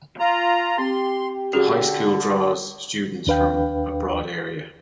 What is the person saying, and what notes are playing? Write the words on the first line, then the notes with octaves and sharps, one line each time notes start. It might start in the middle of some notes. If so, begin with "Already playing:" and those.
The high school draws students from a broad area.
F4 A#5
C4 G4 C6
D3 C#4 F#4 G#4
D#2 D4 B4 F5 G5